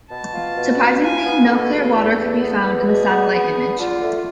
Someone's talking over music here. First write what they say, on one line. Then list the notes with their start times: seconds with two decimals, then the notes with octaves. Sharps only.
Surprisingly no clear water could be found in the satellite image.
0.10 B2 A5
0.34 F4
0.56 B2
0.79 F4
1.02 F4 G#5
1.25 B3
1.48 B2 A4
1.71 E2
1.94 E2
2.17 E2
2.40 B3
2.63 E2
2.86 B2 G#4
3.10 B3
3.32 B3
3.55 E2
3.78 D3 F4
4.01 A3